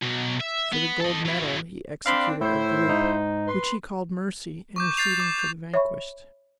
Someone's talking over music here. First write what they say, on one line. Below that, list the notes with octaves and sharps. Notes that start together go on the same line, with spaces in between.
For the gold medal he executed a group which he called Mercy interceding for the Vanquished.
B2 F#3
E5
B3
A4 D#5
F#3 E4
C4 D4 F5 B5 C6
A2 E4 C5
G#2 D#4
B4 C6
C#6 D6 G6
G6 A6 C7 F7
D6
G6
C#5 E5 B5 C#6